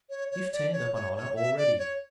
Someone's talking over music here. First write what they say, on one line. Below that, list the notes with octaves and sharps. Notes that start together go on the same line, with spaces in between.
You've turned up an honor already.
C#5
C#5
D5
C#5
C#5
C#5
E5
D5
C#5